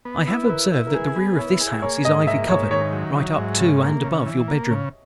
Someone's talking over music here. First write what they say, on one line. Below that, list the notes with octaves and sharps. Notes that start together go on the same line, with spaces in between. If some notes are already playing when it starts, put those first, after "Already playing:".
I have observed that the rear of this house is ivy-covered right up to and above your bedroom.
B3
E4
B4
E4 A#4
E4
A#4
G#4 B4
B3
E4 C#5
G#4
A#3 C#5
G#2 D#5
A#3 E5
G#2 C#5
D#3 C#5
F#3
F#3
G#2
C#3
A#3
C#3
E3
A#3
C#3